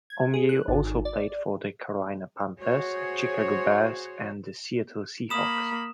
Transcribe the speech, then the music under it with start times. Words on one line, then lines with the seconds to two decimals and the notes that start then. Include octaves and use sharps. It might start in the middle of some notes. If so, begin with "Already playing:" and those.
Omiyale also played for the Carolina Panthers, Chicago Bears, and the Seattle Seahawks.
0.10 G#6
0.34 G#4
0.49 F#6
0.68 G#1
1.05 D5
2.60 F#4 G#4 C5 C#5
5.30 A#3 B5 D#6 E7